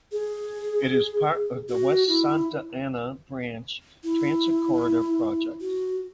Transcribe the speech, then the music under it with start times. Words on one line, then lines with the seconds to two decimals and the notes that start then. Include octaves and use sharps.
It is part of the West Santa Ana Branch Transit Corridor project.
0.12 G#4
1.69 F#4
2.08 E4
4.04 E4
5.61 F#4